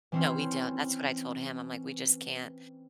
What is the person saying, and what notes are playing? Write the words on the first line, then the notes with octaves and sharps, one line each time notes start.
No, we don't. That's what I told him. I'm like, "We just can't
E3 C4 C#4